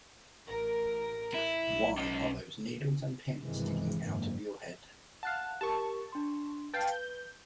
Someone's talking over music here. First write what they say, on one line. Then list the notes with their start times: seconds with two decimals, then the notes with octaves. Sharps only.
Why are those needles and pins sticking out of your head?
0.48 A1 A#4
1.34 E4
1.64 B1
1.98 C#4 D#5
3.42 B1 G2 C3 D#3 E3 G#3
4.02 F#1 G#2 D3 A#3
5.23 F5 F#5 A5 F#6
5.61 G4 A#4 A5 C#6
6.12 D4 C6
6.74 B4 F5 G5 A5
6.91 G6